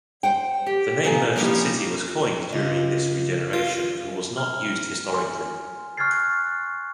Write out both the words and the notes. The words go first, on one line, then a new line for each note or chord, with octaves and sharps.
The name 'Merchant City' was coined during this regeneration and was not used historically.
C5 F#5 G5
G4
A#2 A#3 D#4 F4 A4 G#5
F3 A#3 C#4 D#4 E4 G4
C#2
F4
F6
G#5 C6
C#6 F6 F#6 G#6 A6 C7